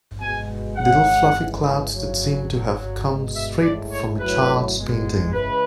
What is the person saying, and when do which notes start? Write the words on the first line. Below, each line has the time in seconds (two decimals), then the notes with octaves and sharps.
Little fluffy clouds that seemed to have come straight from a child’s painting.
0.21 B2 G#3 G#5
0.78 C#3 G#3 F#5
1.35 C#3 E3 G#3
1.92 C#3 F#3
2.49 C#3 F#3
3.06 B2 G#3
3.35 E5
3.62 A2 G#3 D5
3.92 C#5
4.19 A2 F#3 B4
4.76 B2 G#3
5.33 C#3 E3 G#3 B4